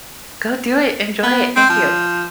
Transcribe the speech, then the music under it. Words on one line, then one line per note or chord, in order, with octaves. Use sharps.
Go do it, enjoy it, thank you.
B3
C4
F3